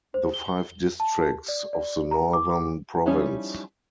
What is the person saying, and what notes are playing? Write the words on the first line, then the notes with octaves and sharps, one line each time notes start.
The five districts of the Northern Province.
C5
G7
A5
D5
D5
A#5
D6
F3 G3 C#4 D#4 E4